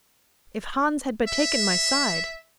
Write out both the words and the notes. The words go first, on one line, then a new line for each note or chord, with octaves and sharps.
If Hans had but taken my side!
E5